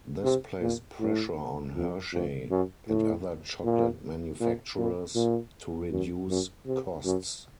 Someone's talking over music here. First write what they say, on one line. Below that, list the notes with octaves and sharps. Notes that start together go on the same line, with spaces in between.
This placed pressure on Hershey and other chocolate manufacturers to reduce costs.
C3
A#2
A2
F2
F2
F#2
A2
A#2
A#2
A#2
A#2
F#2
F#2
C3
F#2